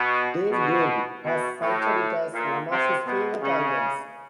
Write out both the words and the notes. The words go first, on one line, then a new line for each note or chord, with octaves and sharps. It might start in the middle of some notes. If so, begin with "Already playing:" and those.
Dave Grohl has cited it as one of his favorite albums.
Already playing: B2
B2
B2
A2
A#2
C3
B2
C#3